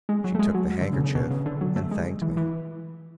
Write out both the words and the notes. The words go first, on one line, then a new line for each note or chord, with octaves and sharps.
She took the handkerchief and thanked me....
G#3
F#3
A3
G#3
F#3
D3
C#3
B2
C#3
B2
C#3
D3
F#3
A3
G#3
E3
E3